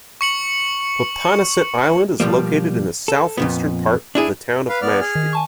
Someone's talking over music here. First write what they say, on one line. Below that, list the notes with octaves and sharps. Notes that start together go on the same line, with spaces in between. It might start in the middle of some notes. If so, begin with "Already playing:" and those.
Popponesset Island is located in the southeastern part of the town of Mashpee.
C#6 C#7 F#7
B2 F3 G3 A#3
A4
F2 A#2 B3
D4 E4 G#4
B4 F5
B3 D5 F6
G#4 F6
D#3
G#5 A5 C#6